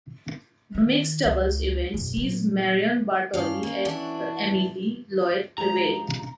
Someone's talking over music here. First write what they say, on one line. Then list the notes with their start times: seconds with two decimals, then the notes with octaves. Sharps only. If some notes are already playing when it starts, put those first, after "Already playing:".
The mixed doubles event sees Marion Bartoli et Émilie Loit prevail.
0.75 D#3
1.24 C#2
1.94 E1 F#2
2.17 A#2 F#3
3.34 G2 C#4 F5
3.63 A#3
3.85 E3 D4 F#4
5.58 F3 G#3 G4 A#5